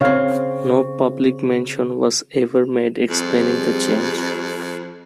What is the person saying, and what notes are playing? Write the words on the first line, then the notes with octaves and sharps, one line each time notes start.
No public mention was ever made explaining the change.
C#3 C4 C#5 F5
F2 G3 C4 G#4